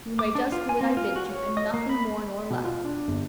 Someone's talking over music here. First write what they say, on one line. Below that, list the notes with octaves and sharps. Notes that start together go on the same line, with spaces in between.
"You may just do what I bid you, and nothing more nor less."
D6
D4
F4
G#5
C4
F4
F#4
C#5
D#5
A#3
B5
B2
F4
D4
G1